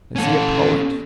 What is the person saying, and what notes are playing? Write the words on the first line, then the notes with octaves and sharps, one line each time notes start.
Is he a poet?
C#4 A4